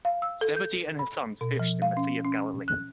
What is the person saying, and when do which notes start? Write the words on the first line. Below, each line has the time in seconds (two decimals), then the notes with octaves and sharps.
Zebedee and his sons fished in the Sea of Galilee.
0.05 F5
0.22 E6
0.41 A4
0.56 G6
0.99 B5
1.41 B2
1.60 F3
1.82 F5
1.97 C#4
2.25 C#4
2.68 F#6